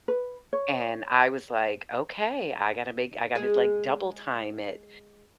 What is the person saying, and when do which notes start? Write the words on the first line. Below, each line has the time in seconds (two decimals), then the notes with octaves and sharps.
And I was like, "Okay, I gotta make I gotta like double time it,"
0.08 B4
0.53 C#5
3.35 G#3 G#4